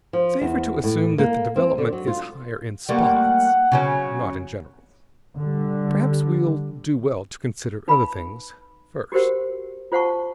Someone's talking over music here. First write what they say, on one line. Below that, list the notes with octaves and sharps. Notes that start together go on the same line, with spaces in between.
Safer to assume that the development is higher in spots, not in general. Perhaps we'll do well to consider other things first.
F3
E2
A2
A#3
C4
D3
F#3
F4
G3 A3 A#3 F#5
C#3 F#3 C#4
D3 G3
D#4 B4 F5 B5
F#4 G4 A#4 C5 F#5
F4 C5 F5 F#5 A5 C#6